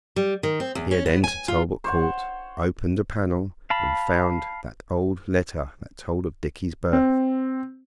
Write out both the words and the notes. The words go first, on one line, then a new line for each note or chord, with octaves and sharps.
He had entered Talbot Court, opened a panel, and found that old letter that told of Dickie's birth.
G3
D#3
C4
E2
C#4
B3
G#5
F4
C5 C#5 F#5
F5 A5 B5
C4